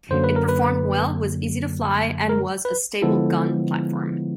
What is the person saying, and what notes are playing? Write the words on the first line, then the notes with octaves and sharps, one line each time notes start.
It performed well, was easy to fly and was a stable gun platform.
F#2 D3 F#3 A#3 C5
B4
A#4
B4
A#4
B4
D3 F3 G#3 B3 E4 A4